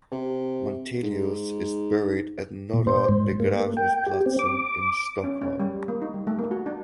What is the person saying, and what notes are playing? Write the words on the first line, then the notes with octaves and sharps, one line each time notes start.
Montelius is buried at Norra begravningsplatsen in Stockholm.
C3
G#2
A#2
C5
G#2
A#3
G5
G4
C4
D6
C#4
C#4
G3
A#3
D#4
G3
A3
A#3
F#4
D4